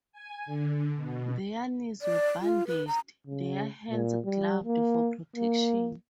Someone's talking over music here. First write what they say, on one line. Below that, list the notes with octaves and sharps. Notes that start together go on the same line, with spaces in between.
Their knees were bandaged, their hands gloved, for protection.
G#5
D3
B2
D5
F4
B4
A#5
C#3
A#2
G3
A#3
A#3